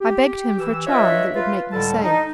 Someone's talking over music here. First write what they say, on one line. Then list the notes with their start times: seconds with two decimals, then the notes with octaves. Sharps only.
I begged him for a charm that would make me safe.
0.01 G4
0.60 E3 E6
0.87 D4 F4 B4 C#5 D#5 E5
1.35 F4 B4
1.73 C#2 A2 D3 G3 A4 A5
2.03 D#4